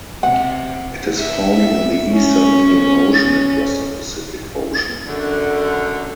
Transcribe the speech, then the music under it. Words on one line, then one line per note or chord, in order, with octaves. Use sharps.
It is found in the eastern Indian Ocean and western Pacific Ocean.
C3 F#5
E5
C#4
F#2 D3